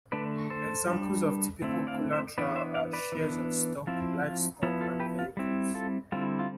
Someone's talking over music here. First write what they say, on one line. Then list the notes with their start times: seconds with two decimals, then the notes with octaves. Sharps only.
Examples of typical collateral are shares of stock, livestock, and vehicles.
0.12 D3 A3 D4 B4 D5
0.50 A4 C5
0.87 G3 D4
1.62 D3 A3 C4 E4
1.87 D5 F5
2.13 C5 E5
2.38 E3 B3 D4 B4 D5
2.56 C5 E5
2.74 D5 F5
2.93 B4 D5
3.12 E3 B3 D4
3.87 F3 C4 E4 F4
4.25 F4
4.63 F3 B3 E4 F4
4.81 F4 A4
5.00 G4 B4
5.19 F4
5.37 G3 C4 E4
5.74 F4 A4
6.12 D3 G3 C4 E4 F4
6.39 F4